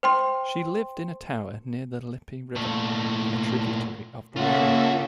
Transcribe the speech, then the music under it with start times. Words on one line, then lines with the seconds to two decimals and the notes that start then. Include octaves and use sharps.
She lived in a tower near the Lippe River, a tributary of the Rhine.
0.03 C5 G5 C6
2.56 A#2 A3
4.36 C#3 A#3 F4 A4 E5 F#5